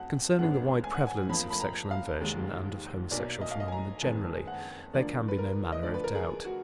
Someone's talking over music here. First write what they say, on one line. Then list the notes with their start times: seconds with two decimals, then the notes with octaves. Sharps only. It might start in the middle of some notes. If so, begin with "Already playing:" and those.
Concerning the wide prevalence of sexual inversion and of homosexual phenomena generally, there can be no manner of doubt.
Already playing: F2 F#3 F#5
0.39 G#1 F#2 D3 G#3 B3 F#5
0.84 G#5
0.95 F#5
1.07 G#5
1.29 F2 F3 A#3 B5
1.50 B5
1.60 A#5
1.91 F5
2.20 F1 D#2 D#3 G#3
3.11 B1 B2 F#3 A#3 D5
3.41 D#5
3.51 F5
3.60 D#5
3.68 G#5
3.72 A#5
4.02 F#1 F2 D#3 G#3 B3 G#5
4.47 F#5
4.93 D2 D3 F3 A#3 D5
5.28 B4
5.38 A#4
5.72 D#5
5.83 D2 D3 F3 D5
5.94 B4
6.04 A#4
6.15 G#4
6.45 F#4